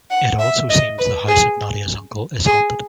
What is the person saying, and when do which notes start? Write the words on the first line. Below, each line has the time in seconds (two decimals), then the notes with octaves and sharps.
It also seems the house of Nadia's uncle is haunted.
0.10 F#5
0.39 E5
0.69 D#5
0.98 B4
1.28 G#4
2.46 G#4